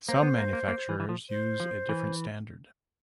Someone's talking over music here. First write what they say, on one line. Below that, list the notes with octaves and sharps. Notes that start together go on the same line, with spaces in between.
Some manufacturers use a different standard.
A#3 C5
B3
A#3
A#3
A#3
E3
E3
F3
C5
F3
E3